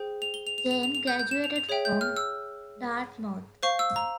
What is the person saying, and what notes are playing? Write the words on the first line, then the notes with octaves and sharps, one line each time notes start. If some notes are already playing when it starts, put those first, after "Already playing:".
Jane graduated from Dartmouth.
Already playing: G#4 C5 G5
F7
G7
F7
F7
F7
F7
F7
G6
G6
E7
F7
F7
G#4 C#5 E5 G5
G6
F6
E6
C5 F5 C#6
E6
A#5